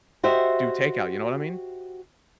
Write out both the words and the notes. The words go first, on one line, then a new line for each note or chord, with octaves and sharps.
do takeout, you know what I mean.
F#4 G4 C5 D#5 E5